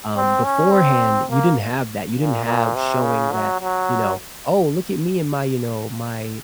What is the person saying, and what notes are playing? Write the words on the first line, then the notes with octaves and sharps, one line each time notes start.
um, beforehand, you didn't have that. You didn't have showing that, you know, "Oh, look at me and my," you know, "my
C4
C#4
C4
A#3
A#2
A#2
C3
C#3
F#3
F#3